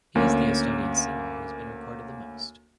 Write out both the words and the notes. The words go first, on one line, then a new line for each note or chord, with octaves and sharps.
He is the Estonian singer who has been recorded the most.
D2 A#3 C#4